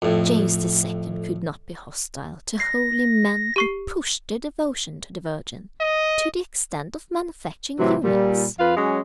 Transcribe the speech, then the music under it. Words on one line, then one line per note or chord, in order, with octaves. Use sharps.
James II. could not be hostile to holy men who pushed their devotion to the Virgin to the extent of manufacturing eunuchs.
F2 A2
A#6 C7
G4 C#6 C7
D#5
A2 C3 E3 F#3
A#2 G3
F2 F4 B4 F5
F#3 G#3 C#4